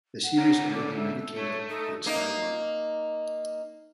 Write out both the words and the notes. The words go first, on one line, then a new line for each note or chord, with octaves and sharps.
The series aired the United Kingdom on Sky One.
F#5
D3 C#4 A#5
A4 D5
E5
A3 C#5
D#4 A4
A#3 D#4